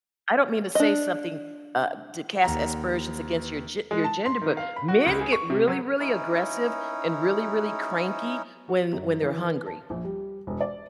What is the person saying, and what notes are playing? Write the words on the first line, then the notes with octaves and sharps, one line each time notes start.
I don't mean to say something, uh, to cast aspersions against your ge your gender, but men get really, really aggressive and really, really cranky when when they're hungry.
D4 D#5
D#2 A#5
G#3
A5
C6
D#3
F5
B5
F#4
C#2
G#4
C#6
C3
F#3
C#4 D#4 E4
F#4
F#2
E3
B4
A5
A#1
G3
E1
D5